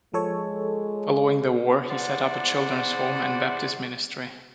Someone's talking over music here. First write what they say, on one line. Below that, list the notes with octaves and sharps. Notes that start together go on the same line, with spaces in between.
Following the war he set up a children's home and Baptist ministry.
F3 G#3 A4 C#5
E2 C5 D5 F#5